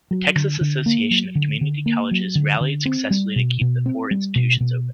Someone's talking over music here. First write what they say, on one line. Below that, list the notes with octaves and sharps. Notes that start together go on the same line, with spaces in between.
The Texas Association of Community Colleges rallied successfully to keep the four institutions open.
F#3
D3
D3
A#3
F#3
D3
D3
A#3
F#3
D3
D3
C4
G3
B2
B2
C4
G3
B2
B2